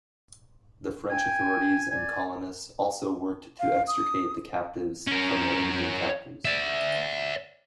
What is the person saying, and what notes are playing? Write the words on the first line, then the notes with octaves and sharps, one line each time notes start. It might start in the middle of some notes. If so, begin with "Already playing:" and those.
French authorities and colonists also worked to extricate the captives from their Indian captors.
G5 G#5
D5 G#5
F5
D#6
C#4 A#4
D5 E5